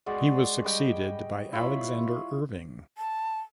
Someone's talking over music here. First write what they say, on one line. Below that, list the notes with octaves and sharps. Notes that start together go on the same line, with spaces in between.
He was succeeded by Alexander Irving.
G#3 F#4 D5
G3 D#5 G5 B5
E4 F4 C#5 B5
A5